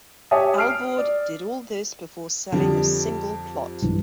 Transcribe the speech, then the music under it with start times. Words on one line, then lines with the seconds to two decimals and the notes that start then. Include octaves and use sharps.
Alvord did all this before selling a single plot.
0.31 G4 C#5 E5 G#5 A5 D#6
0.58 F6 C7 D7
0.98 D5
2.52 F2 D3 F3 G3
3.82 B1 G2 E3